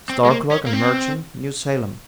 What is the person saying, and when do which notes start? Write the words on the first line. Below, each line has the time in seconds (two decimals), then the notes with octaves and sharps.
Store clerk and merchant, New Salem.
0.10 C4
0.25 G#3
0.30 A#3
0.51 C#4
0.66 A#3
0.73 C4